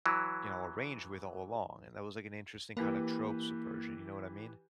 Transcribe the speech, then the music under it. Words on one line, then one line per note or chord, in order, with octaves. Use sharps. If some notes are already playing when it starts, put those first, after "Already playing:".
you know, arranged with all along, and that was, like, an interesting, kinda, trope subversion, you know what I mean?
E3 F#3 E4
E3 A#3 G4 B4